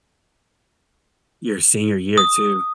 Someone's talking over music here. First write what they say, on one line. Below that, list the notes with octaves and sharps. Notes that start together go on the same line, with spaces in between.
Your senior year too.
D#6